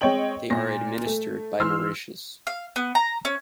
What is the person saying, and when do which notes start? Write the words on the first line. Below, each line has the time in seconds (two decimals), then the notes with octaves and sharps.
They are administered by Mauritius.
0.01 G#3 C4 C#5 D#5 G5 F#7
0.50 A#2 A#6
1.06 A3
1.60 E3 C6 E6 F6
2.47 F5
2.76 B3
2.95 A#5
3.25 C#4